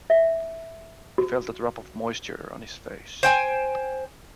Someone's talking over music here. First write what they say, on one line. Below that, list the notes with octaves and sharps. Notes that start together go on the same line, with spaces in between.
He felt a drop of moisture on his face.
E5
F#4
C5 G5 G#5